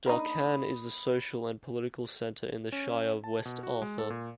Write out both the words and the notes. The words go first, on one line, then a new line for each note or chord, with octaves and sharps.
Darkan is the social and political centre in the Shire of West Arthur.
A#3 D4 D#4 B5 D#6
C#4
A5
B2
F#4
G#3
A4
A#2